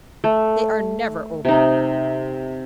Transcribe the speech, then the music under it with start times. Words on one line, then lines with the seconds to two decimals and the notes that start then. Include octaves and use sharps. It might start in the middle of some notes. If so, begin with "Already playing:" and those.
They are never open.
0.24 A3
1.45 C3 D#4